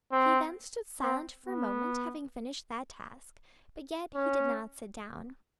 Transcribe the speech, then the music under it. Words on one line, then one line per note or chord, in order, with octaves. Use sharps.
He then stood silent for a moment, having finished that task; but yet he did not sit down.
C4
C4
B3
C#4